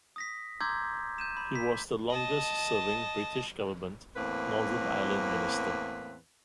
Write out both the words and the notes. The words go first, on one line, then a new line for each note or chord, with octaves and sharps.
He was the longest serving British government Northern Ireland minister.
D#6 A#6 B6
A#5 C6 D6 E6 G6 G#6
G6 D#7 E7
B5
B6
D#5 A5
E2 A2 A#3 C4 B4